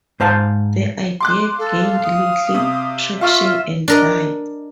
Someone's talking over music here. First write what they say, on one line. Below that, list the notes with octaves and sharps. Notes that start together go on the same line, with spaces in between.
The idea gained little traction and died.
G#2 C5 F5 A5
C6 D6 F#6
A4 F5
D#6
C3
F4 E5 F5 C#6 F6
D4 A#4 D#5